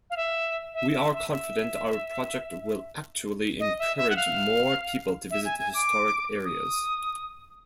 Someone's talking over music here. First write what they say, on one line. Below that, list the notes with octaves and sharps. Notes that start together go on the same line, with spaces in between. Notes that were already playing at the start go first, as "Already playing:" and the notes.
We are confident our project will actually encourage more people to visit historic areas.
F5
E5
E5
E5
E5
E5
D#5
E5
E5
F#5
F5
E5
G#5
G#5
D6
D#6